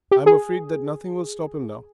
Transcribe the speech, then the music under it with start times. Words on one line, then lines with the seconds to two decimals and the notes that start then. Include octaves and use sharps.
I am afraid that nothing will stop him now.
0.11 G4
0.26 G#4